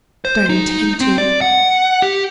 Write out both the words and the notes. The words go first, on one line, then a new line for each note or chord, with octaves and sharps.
'Don't intend to.
C5
D#4
C4
D5
F#5
G4